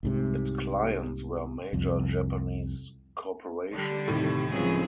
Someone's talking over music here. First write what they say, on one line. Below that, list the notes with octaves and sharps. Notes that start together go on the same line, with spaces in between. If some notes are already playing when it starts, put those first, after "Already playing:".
Its clients were major Japanese corporations.
C2 G#2 C3
C2 F2
D3 G3
D#2 A2 C3
C#2 F3 F#3 C4 G#4